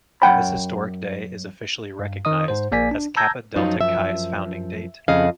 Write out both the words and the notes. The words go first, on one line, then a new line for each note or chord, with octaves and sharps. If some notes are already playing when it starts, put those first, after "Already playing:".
This historic day is officially recognized as Kappa Delta Chi's founding date.
F#2 F#5 G5 B5
G2
D#3 D#5 D#6
G#2 C5
A#1 A#3 D5 G#5 B6
D4
A5 A#5 E6 G6 G#6 A#6
F#2 F3 F#3 D#4 F4
E5
F2 C#3 D#5 F5